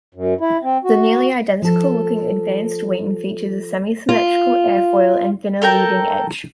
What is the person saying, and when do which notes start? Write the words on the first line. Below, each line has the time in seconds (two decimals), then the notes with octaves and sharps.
The nearly identical-looking "advanced" wing features a semi-symmetrical airfoil and thinner leading edge.
0.15 F#2
0.40 E4
0.63 C4
0.84 F#4
1.62 F3 A4
4.09 F4
5.62 A4 A#4 G5 A#5